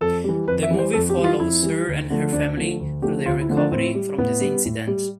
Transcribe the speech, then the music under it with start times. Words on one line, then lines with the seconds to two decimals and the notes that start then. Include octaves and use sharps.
The movie follows her and her family through their recovery from this incident.
0.01 F2 A4
0.24 E3 G3
0.47 F2 B4
0.63 E5
0.71 E3 G3
0.79 C5
0.93 F2 A4
1.10 G4
1.17 E3 G3
1.24 F4
1.40 F2 E4
1.63 E3 G3
1.87 D2
2.10 D3 F3 A3
2.33 D2 D4
2.57 D3 F3 A3
2.80 D2
3.02 D3 F3 A3 G4
3.25 D2 F4
3.41 E4
3.49 D3 F3 A3
3.57 D4
3.72 A2 C4
3.95 G3
4.18 A2 B3
4.41 G3
4.65 A2
4.87 G3